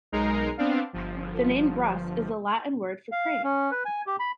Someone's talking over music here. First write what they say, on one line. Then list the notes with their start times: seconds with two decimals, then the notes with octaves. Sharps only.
The name "Grus" is the Latin word for "crane".
0.12 B1 G#3 D#4 A#4 A#5 C7
0.57 B3 C4 D4 F5
0.93 G1 F3
3.12 F5
3.44 C#4
3.71 B4
3.85 G#5
4.07 G4
4.20 B5